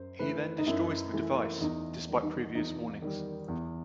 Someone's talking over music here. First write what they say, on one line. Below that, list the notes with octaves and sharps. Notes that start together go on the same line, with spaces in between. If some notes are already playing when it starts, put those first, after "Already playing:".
He then destroys the device, despite previous warnings.
Already playing: F#2 C5
E3 A3 B4
D#4
F#2 E4
E3 A3
E2 D#4
D#3 G3
D#4
E2 D#4
D#3 G3
E2